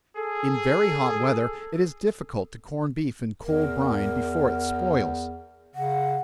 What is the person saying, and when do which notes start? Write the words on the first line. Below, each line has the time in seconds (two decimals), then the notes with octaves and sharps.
In very hot weather, it is difficult to corn beef in cold brine before it spoils.
0.16 G#4 A4
3.43 E2 A#4
5.75 C#3 F#5